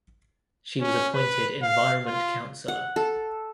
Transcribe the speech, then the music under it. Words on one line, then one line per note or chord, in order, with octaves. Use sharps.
She was appointed environment counselor.
C#4
B4
F5
F4
F#5
A4